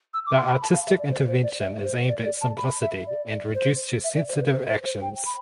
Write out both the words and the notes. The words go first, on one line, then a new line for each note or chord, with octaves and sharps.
The artistic intervention is aimed at simplicity and reduced to sensitive actions.
E6
D6
C6
B5
A5
F5
E5
D5
C5
C5
D5
E5
C5
D5
D5
A5
B5
E5
D5
C5
E5
D5
C5
B4
C5
C5
C5
G5
B5